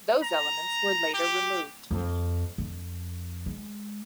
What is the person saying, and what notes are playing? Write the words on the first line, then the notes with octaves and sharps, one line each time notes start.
Those elements were later removed.
A#5
G4
F2
F2
G#3